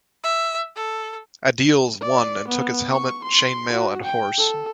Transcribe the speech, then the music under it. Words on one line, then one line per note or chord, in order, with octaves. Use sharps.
Adils won and took his helmet, chainmail and horse.
E5
A4
D5
B3
C#6
C6
F#4
G5
A4